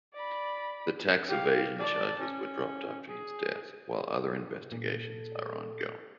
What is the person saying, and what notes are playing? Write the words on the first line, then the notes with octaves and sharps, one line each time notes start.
The tax evasion charges were dropped after his death, while other investigations are ongoing.
D5 B5
G4 F5
D5 A5
C#4
G#4
A#2 A4